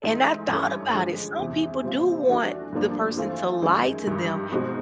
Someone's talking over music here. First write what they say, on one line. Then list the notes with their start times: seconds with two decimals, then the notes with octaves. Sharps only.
And I thought about it, some people do want the person to lie to them,
0.04 G#2 E3 A3
0.48 G2 E3 A3 C#4
0.93 D3 F3 G#3
1.38 E2 C3 E3
1.83 A#2 G3 C4 F4
2.28 E3 A3 D4 F#4
2.73 G2 D3 F3 A#3 D4
3.17 E3 A3 C4 F4
3.62 F#2 D#3 G#3
4.07 G2 D#3 G3
4.52 B2 G#3 C4 D#4 F#4